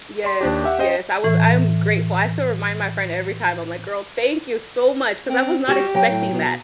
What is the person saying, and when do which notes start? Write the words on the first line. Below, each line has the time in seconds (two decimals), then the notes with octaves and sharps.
Yes, yes, I wa I'm grateful, I still remind my friend every time. I'm like, "Girl, thank you so much," 'cause I was not expecting that.
0.24 D5 C6
0.41 D#2 D4 G4
0.64 G4 E5 F#5
0.79 C#4 C5 D#5 G5
1.24 A2 E3
5.29 C4
5.68 G3 F#4 G4
5.94 F#3 G5
6.08 A2
6.31 B2